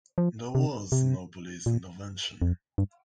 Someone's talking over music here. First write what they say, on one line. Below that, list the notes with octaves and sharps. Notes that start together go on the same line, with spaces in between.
There was no police intervention.
F3
C3
C3
A#2
F2
G2